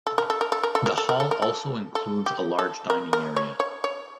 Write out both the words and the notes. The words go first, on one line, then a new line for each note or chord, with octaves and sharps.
The hall also includes a large dining area.
A4
A#4
A4
A#4
A4
A#4
A4
A#4
A4
A#4
A4
A#4
A4
A4
G4
A4
A#4
A#4
C#5
C#5
C#5